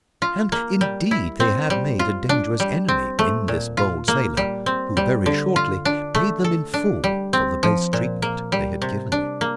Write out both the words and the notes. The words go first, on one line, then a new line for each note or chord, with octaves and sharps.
And indeed they had made a dangerous enemy in this bold sailor, who very shortly paid them in full for the base treatment they had given him.
F4
A#3
G3
E4
C4
G3
F4
D4
G3
C4
A3
A#2
F4
A#3
G3
C4
G3
D3
F4
D4
A3
A4
D4
G3
C4
F3
A#2
A#3
G3
C3
D4
A#3